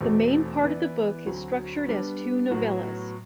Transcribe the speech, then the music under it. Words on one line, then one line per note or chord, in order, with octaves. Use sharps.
The main part of the book is structured as two novellas.
E2 B2 A3 C4
E3 B3 E4 B4 D5
D2 D3 F#3 C4
G3 B3 D4
A2 F#3 B3 F#4